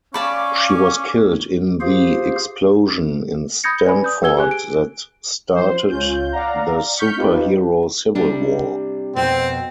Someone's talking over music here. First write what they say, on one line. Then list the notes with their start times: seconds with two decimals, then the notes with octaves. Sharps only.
She was killed in the explosion in Stamford that started the Superhero Civil War.
0.14 C#4 D5 F5 A5 B5 C#6 D6
1.81 F4 G4 G#4 C5 F5
3.64 B5 D#6 G6 G#6 A#6 C#7
3.84 B4 D5 G#5 B5
4.04 D#6 G6
4.23 G4 B4 E6 G#6 G7
4.37 G4 G#4 G#5 F#6
4.51 D7
5.53 F3 C5 C6
5.89 C#2 C#4 F4 G6
6.32 D5 F5 F#5 A#5
6.97 C#6 F6 G6 B6 C#7
7.16 C4 D#4 F4 G4 B4
8.15 C3 G3 D4
9.16 F2 B2 C4